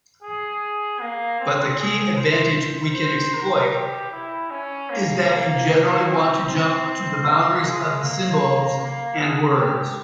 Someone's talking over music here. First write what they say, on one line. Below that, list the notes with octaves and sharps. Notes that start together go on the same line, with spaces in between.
But the key advantage we can exploit is that you generally want to jump to the boundaries of symbols and words.
G#4
A#3
C4
G#4
C5
C5
A#4
G4
E4
C#4
A#3
A#3
A#3
C4
C4
A#3
G#3
A#3
A#3
G#4
G4